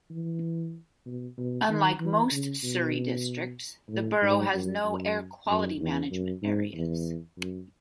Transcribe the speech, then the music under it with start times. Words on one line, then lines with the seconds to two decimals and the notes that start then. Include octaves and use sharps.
Unlike most Surrey districts the borough has no Air Quality Management Areas.
0.10 E3
1.05 B2
1.37 B2
1.69 D#3
2.00 E3
2.31 C#3
2.63 B2
3.89 A2
4.22 G#2
4.53 F#2
4.84 F#2
5.48 F#2
5.79 E2
6.11 F#2
6.42 G#2
6.74 E2
7.38 F#2